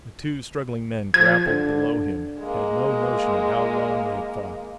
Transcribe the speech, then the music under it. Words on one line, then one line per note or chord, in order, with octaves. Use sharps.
The two struggling men grappled below him had no notion of how long they had fought.
F3 G#6
D3
G#3 A#3